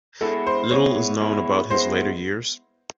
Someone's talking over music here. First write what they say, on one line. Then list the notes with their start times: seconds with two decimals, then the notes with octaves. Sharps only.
Little is known about his later years.
0.21 G#3 B3 E4 A4
0.47 C5
0.71 G#3 B3 E4 C#5
1.20 G#3 B3 E4
1.70 G#3 B3 E4 C5